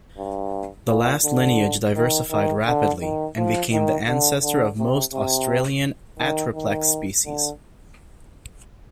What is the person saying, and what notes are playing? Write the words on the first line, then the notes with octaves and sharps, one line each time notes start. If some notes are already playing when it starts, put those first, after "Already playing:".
The last lineage diversified rapidly, and became the ancestor of most Australian "Atriplex" species.
G2
A#2
D3
D#3
D#3
D3
D#3
F3
D#3
D3
D3
C3
C3
D#3
D#3
D3